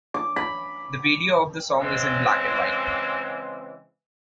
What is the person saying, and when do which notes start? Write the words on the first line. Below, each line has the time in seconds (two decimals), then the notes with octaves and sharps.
The video of the song is in black-and-white.
0.14 D6
0.36 B5
1.79 C#3 E3 G#3 C4